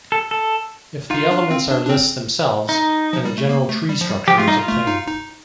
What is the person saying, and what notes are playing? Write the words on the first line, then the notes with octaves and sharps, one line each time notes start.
If the elements are lists themselves, then a general tree structure is obtained.
A4
A4
D#4 F4
D4
C4
D4
D4
C4
D#4
F3
G3
A3
A#3
A3
G3
F3
G3
F3 G4
A3 F4
G3 D#4
F4
A3
D#4
D#4